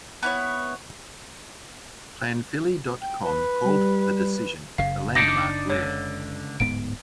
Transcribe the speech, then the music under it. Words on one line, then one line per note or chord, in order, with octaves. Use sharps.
PlanPhilly dot com called the decision a landmark ruling.
B3 E4 C#5
G5
B4
G3
F#1 C#3 F5
D4 D#4 D5 A#6
C#2 G#2 D3 C#5
D1 G#2 B3 D7